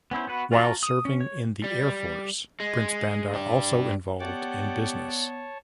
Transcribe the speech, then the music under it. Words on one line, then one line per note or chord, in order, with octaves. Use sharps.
While serving in the air force Prince Bandar also involved in business.
B3 C#4 E4 C5
B3 F#4 B4
F4 F#4 A5 A#5
D#6
C#4
C#5
G3
G#3
D4 G4
B3 G4 C#5 D5 F#5 A5